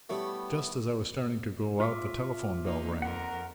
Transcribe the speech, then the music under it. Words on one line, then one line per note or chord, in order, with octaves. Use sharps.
Just as I was starting to go out the telephone bell rang.
G3 A3 B3 E4 G4 C#5 D6
F4 E5 D6
A#3 D#4
F2 A#4 F#5 A#5